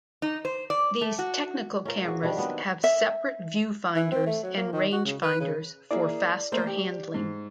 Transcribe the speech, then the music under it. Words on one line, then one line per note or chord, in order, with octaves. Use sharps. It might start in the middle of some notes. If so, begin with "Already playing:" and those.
These "technical cameras" have separate viewfinders and rangefinders for faster handling.
D#4
C5
D5
A3
F#4
C#4 F4 A#4
F#4 G#4
D#3 F3 G3 D4
F#3 B3 C4
E5
E3
C4
A3
F#3
A#3
D#3
F#4
C#3
B4
C#3
A#3 E4 G#4 D5
A3 A#3 C5
G4
G#2